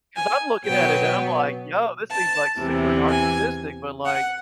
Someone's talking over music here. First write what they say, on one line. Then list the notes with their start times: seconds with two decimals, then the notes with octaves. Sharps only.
'Cause I'm looking at it, and I'm like, "Yo, this seems, like, super narcissistic," but, like
0.16 G#5
0.65 B2 F#3 B3 G5
2.11 A5
2.59 E2 C3 E3
3.08 G#5
4.05 F#5